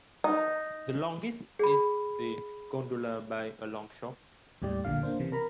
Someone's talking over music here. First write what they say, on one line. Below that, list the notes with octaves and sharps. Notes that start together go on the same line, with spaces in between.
The longest is the Gondola by a longshot.
D#4
G#4 B5
D#2 A2 G3 G4 D5
A#1 A#2 D3 F5
A#3 D4 C5
C3 E3
A#4 A#5 B5